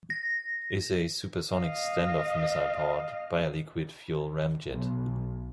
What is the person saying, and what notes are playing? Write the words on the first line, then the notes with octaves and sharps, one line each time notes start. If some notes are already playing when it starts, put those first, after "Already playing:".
It is a supersonic standoff missile powered by a liquid fuel ramjet.
A#6
D#5 F5
B1